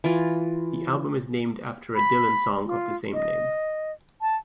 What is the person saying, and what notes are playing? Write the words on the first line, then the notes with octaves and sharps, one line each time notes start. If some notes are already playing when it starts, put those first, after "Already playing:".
The album is named after a Dylan song of the same name.
E3 F4
B5
F4
D#5
A5